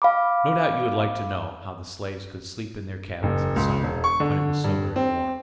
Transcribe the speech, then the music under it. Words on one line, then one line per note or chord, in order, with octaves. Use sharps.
No doubt you would like to know how the slaves could sleep in their cabins in summer, when it was so very warm.
F5 B5 D6
F#1
C#2
E1
C#6
D3
G2
C4